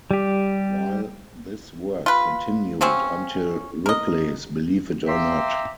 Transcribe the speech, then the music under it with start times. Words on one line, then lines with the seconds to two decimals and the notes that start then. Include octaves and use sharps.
While this work continued until Ripley's Believe It or Not!
0.11 G3 G4
2.06 F4 B4
2.81 C#3 F#3 C4 C#4
3.86 A#4 D#5
5.07 E5 F5 G5 A#5 C6 D6